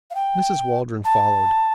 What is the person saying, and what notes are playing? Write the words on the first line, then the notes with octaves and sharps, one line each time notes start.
Mrs. Waldron followed.
F5
G5
A5